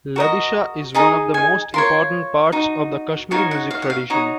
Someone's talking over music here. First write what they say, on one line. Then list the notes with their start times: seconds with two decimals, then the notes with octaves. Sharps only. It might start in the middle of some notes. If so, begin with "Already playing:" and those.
Ladishah is one of the most important parts of the Kashmiri music tradition.
0.16 F#4 A#4 D#5
0.95 D#4 G#4 D#5 A#5
1.34 G#5
1.74 F4 A#4 C#5 C6
2.52 D#4 F#4
3.31 D#4 F#4 C#5 F5
3.51 F#5
3.71 F5
3.82 F#5
3.90 F5
4.10 D#4 F#4 C#5 D#5